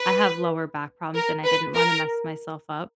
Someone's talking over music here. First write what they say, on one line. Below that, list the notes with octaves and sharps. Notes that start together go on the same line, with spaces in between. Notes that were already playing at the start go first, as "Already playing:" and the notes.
I have lower back problems, and I didn't wanna mess myself up
Already playing: B4
A#4
B4
A#4